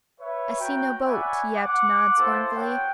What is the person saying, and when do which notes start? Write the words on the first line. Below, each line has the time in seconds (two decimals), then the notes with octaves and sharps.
"I see no boat," yapped Nod scornfully.
0.20 B4 C#5 E5
0.60 F#4 G5 A#5
1.04 C#5 D5 E5 F#5 G#5 B5
1.55 F#5 D6
2.19 A#3 E4 A4 B4 C5
2.56 F#4 C#5 F#5 G5